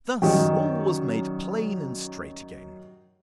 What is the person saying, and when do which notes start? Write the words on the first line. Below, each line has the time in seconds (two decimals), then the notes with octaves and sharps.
Thus all was made plain and straight again.
0.22 F#2 D#3 G3 G5